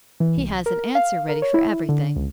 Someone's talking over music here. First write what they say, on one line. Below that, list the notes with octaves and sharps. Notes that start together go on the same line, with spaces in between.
He has an answer ready for everything.
E3
C2
A#4
F5
A#4
C#5
E4
D3
C#2